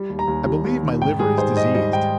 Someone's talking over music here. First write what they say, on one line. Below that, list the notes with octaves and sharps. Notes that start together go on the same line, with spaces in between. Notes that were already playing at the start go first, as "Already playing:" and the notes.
I believe my liver is diseased.
Already playing: G3
D#2
A#5
D#2
G3
D#2
D#3
G#2 G5
G3 G#4
G#2 C5
G#2 D#5
G3 D#5
G#2 G5